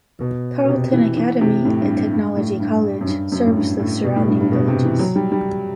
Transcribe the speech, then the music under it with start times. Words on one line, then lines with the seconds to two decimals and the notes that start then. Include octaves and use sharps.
Tarleton Academy, a Technology College, serves the surrounding villages.
0.20 B2
0.64 B2
0.69 C3
0.93 E3
1.17 E3
1.41 C3
1.65 A2
1.81 G2
1.96 G2
2.13 G2
2.36 A2
2.60 G2
3.01 F#2
3.08 G2
3.32 F#2
3.46 A2
3.57 G2
3.79 A2
4.04 B2
4.16 A2
4.28 G2
4.40 G2
4.52 B2
4.68 C3
4.84 E3
4.99 F#3
5.16 G3
5.32 G3